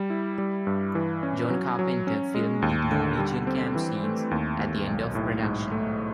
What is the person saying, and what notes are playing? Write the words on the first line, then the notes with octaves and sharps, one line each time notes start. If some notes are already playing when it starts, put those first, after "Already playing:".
John Carpenter filmed the Norwegian camp scenes at the end of production.
Already playing: G3
E4
G3
G2
E3
C#4
F#3
F#3
C#4
G#3
D#2
D3
G3
C4
E3
A3
D#2
D#2
B1
A2
G#2
A3